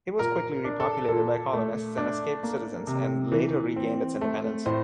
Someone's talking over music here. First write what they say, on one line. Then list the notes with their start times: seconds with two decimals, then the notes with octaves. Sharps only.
It was quickly repopulated by colonists and escaped citizens, and later regained its independence.
0.19 A#2 A#4
0.65 D4
0.80 A4
1.08 A#2 A4
1.53 A3
1.98 D4
2.43 A#3
2.87 C3
3.32 E3
3.76 C4
4.21 A3
4.66 A2 C5